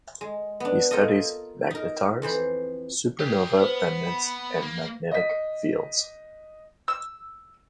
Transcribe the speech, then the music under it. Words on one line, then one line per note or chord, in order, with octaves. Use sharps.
He studies magnetars, supernova remnants and magnetic fields.
G#3
B3 D4
F4 A4 A#4 D#5
D#4 A#4
F2 E3 C5 B5
G4 G#4 A#4 C#5
B3 B4 C5
B5
A#3
D#5 B6
E6